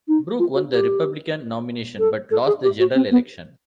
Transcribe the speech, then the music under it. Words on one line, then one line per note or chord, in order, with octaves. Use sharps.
Brooke won the Republican nomination, but lost the general election.
D#4
F4
F#4
G4
A4
A4
G#4
G4
F#4
C4
B3